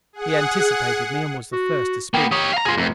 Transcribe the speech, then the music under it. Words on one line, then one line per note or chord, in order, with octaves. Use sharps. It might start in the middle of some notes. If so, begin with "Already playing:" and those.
He anticipated me, and was the first to speak.
G#4 F#5
F#4
A#3 B3 G5
G4 C#5 D#6
F5 A#5
F4 G#4 C6 A#6
F1 F2